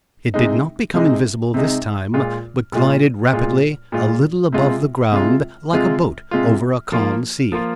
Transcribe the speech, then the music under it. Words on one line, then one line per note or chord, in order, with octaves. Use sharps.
It did not become invisible this time, but glided rapidly a little above the ground, like a boat over a calm sea.
C3 G#3 D#4
C3 G#3 D#4
C3 G#3 D#4
A#2 G#3 F4
A#2 G#3 F4
A#2 G#3 F4
A#2 G#3 F4
C3 G#3 F4
C3 G#3 F4
C3 G#3 F4
C3 G#3 F4
F3 A#3 F4
F3 A#3 F4